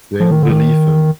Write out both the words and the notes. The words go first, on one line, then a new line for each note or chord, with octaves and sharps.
They'll believe him.
F3
D#3
D3
D#3